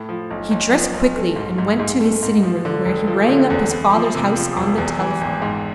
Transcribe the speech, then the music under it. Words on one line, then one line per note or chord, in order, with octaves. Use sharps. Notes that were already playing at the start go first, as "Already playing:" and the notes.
He dressed quickly and went to his sitting-room, where he rang up his father's house on the telephone.
Already playing: A2
F3
B1
B1
F3
B1
A3
G#2
G#2
G#2
A3
G#2
F3
D3
E1
F3
D3
E2
E2
F3
C3
F3
E1
E2
E3
G#1
G#2